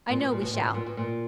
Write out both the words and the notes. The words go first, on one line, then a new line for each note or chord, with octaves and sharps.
'I know we shall.
A#2
B2
A#2
B2
A#2
B2
A#2
B2
A#2